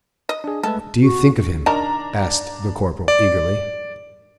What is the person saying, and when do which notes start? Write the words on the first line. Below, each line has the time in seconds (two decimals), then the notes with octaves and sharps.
"What do you think of him?" asked the Corporal, eagerly.
0.29 D#5
0.44 D4 G#4
0.63 G#3 A3 A4 B4
1.01 F#4
1.66 D#3 D4 A#4 A5 A#5
3.08 D5